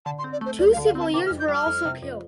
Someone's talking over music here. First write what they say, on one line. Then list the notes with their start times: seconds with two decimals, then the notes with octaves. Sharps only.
Two civilians were also killed.
0.06 D3 A5
0.18 C6
0.24 C4
0.33 D5
0.41 A3 C5
0.59 D2 D5
0.73 F5
0.77 D3
0.86 F5
0.95 C4 A5
1.14 C3 D6
1.26 F6
1.31 F2
1.40 G6
1.48 G3
1.54 F6
1.66 F2
1.85 C3
2.02 F2